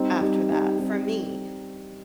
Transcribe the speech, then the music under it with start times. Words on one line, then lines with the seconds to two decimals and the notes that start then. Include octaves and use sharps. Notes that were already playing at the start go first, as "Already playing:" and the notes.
after that, for me.
Already playing: G3 C4 D#4
0.21 G3 C4 D#4
0.51 G3 C4 D#4
0.79 G3 C4 D#4